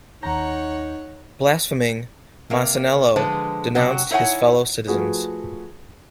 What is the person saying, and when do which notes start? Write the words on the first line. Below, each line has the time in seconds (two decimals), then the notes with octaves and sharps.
Blaspheming, Masaniello denounced his fellow-citizens.
0.23 D#2 D#4 C#5 F#5 A#5 G6
2.50 C3 A#3
3.16 D3 F3 G#3 B4 A5
3.75 C3 F#3 F#4
4.11 D#4 E4 C#5 D#5 F#5 G#5
4.87 F3 A3 F#4 G#4 B4